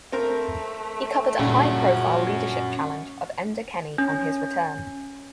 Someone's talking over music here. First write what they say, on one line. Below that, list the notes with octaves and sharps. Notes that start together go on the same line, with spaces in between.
He covered a high-profile leadership challenge of Enda Kenny on his return.
A3 C4 A#4 A#5
D2 G2 A#2 C#3 C#4 F#4
C#4